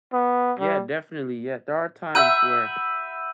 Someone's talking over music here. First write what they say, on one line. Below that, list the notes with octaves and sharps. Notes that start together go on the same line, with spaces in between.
Yeah, definitely. Yeah, there are times where
B3
G3
E5 F#5 B5 E6 G6 D#7